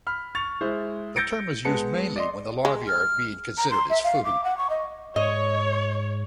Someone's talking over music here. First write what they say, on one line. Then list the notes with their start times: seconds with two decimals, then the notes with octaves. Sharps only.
The term is used mainly when the larvae are being considered as food.
0.07 B5 F6
0.35 C#6 A6 F7
0.61 G#3 E4 C5
1.16 E6 G6 A6 A#6 C#7 D7
1.65 G#3 B3 A5 C#7
2.16 D5 D#5 C6
2.65 G#3
2.87 F6
3.58 A#5
3.70 C6
3.90 E5
4.03 F5
4.25 D6
4.44 F#5
4.57 C#6
4.70 D#5
5.16 G#2 C#5 D#5